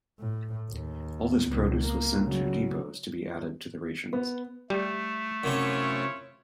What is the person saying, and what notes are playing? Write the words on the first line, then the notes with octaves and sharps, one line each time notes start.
All this produce was sent to depots to be added to the rations.
A2
D#2
C#2 B2
A#3
C#3 F#3
B3
G3 A3
F#2 C3 C#4 E4 F4 C#5